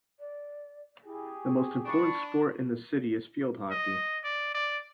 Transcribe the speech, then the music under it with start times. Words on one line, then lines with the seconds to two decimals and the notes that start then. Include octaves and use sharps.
The most important sport in the city is field hockey.
0.20 D5
1.05 E4 G4 G#4
1.43 C#6
1.86 D4 B5 C#6
3.71 D#5
4.24 D5
4.55 D5